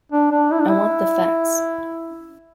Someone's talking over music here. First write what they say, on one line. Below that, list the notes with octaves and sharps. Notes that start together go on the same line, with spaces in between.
I want the facts.
D4
D4
E4
D4
E4